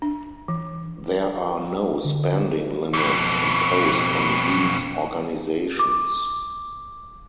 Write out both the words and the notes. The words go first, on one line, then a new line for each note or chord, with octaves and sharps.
There are no spending limits imposed on these organizations.
D4
E3
D3
F2 B2
D6